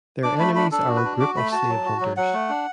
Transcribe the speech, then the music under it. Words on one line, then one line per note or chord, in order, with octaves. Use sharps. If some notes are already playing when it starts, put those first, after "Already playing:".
Their enemies are a group of slave hunters.
D4 D6
A3 B5
D4 B5
D4 A4
F#4
B4
D4
F#4 D6
A3 B5
F#4 A5
F#3
F#4
F#3
F#3 F#5
A3
D4